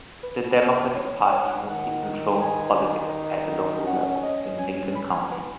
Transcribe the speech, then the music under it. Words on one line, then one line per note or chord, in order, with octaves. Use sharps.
The Democratic Party mostly controls politics at the local level in Lincoln County.
B4
C#5
B4
C#5
F#5
D#3 F#5
G#5
C#4 F#5
D#5
G#5
B5
G#5
B4